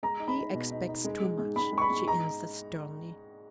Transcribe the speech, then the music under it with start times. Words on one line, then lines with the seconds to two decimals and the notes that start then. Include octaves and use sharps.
"He expects too much!" she answered, sternly.
0.03 G#3 A#5
0.19 D#4
0.28 B5
0.37 D#4
0.54 B2
0.71 D#4
0.89 D#4
1.04 G#3
1.22 G#3
1.39 G#2
1.56 G#2 B5
1.73 G#3 C#6
1.82 B5
1.90 G#2
2.08 D#4 A#5